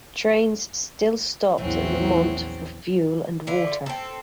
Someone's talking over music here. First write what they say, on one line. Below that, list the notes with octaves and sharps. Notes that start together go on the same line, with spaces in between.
Trains still stopped at Lamont for fuel and water.
A#1 E2 A2 E3 F#3 C4 C#4
D3 E4 F4
C4 A4